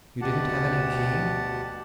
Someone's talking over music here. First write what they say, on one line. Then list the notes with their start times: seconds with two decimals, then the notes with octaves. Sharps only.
"You didn't have any key?"
0.21 D2 B2 G4 F#5 A5